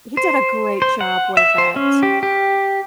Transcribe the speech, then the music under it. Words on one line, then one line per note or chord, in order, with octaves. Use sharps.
He did a great job with it,
C5
C5
F#5
E5
C5
C#4
G4
G4